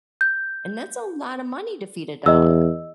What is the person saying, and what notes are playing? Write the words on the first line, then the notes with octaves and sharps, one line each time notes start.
And that's a lotta money to feed a dog.
G6
E2 D#5 E6